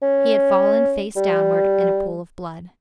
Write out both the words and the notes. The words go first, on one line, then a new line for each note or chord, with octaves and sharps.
He had fallen face downward in a pool of blood.
C#4
G3